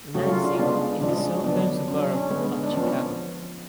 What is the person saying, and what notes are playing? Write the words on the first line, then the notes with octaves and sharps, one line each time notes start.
Lansing is a southern suburb of Chicago.
C#3 F#3 A3 C#4 F#4
F4
D4
F4
C#3 G#3 B3 D4
C#3 F3 G#3 D4
D3 F#3 B3 D4
F#3 C#4
D4
C#4
D3 G#3 B3
D4
F3 B3 C#4